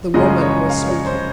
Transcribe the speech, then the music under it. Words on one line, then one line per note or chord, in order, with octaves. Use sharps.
The woman was speaking.
F#2 C#3 F3 G#3 D#5
C#5
F5
C#5
C5